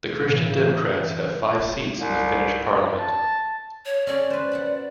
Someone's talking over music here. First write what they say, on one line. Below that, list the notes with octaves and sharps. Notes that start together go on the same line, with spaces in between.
The Christian Democrats have five seats in the Finnish Parliament.
A2 C#3 E3
C2
A5
C#5
C#4 A4 D5
B4 C5
F#5 A5 B5